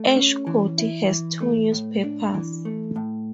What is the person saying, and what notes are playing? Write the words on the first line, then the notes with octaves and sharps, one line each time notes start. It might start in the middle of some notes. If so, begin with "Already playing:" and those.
Ashe County has two newspapers.
Already playing: A3
C#4
E3
E4
E3
A3
A2
D4
E3
A3
A2